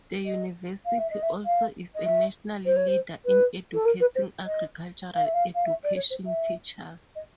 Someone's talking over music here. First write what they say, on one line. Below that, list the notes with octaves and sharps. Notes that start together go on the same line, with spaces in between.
The university also is a national leader in educating agricultural education teachers.
D#5
F5
E5
D#5
E5
F5
D#5
E5
C5
C#5
C5
B4
A4
A#4
B4
C5
D#5
F5
E5
F5
F5
E5
D5
C#5
C5
E5
D#5